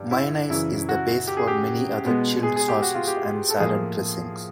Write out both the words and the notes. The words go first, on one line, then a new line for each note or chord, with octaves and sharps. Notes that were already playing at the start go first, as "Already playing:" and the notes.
Mayonnaise is the base for many other chilled sauces and salad dressings.
Already playing: G2
E4
F#2 C#3 E3 E4
F#4
G4
G#4
G4
B2 G#3 B3
G#4
G#4
G4
F#4
F4
G4
A4
A2 F3 A#3 G#4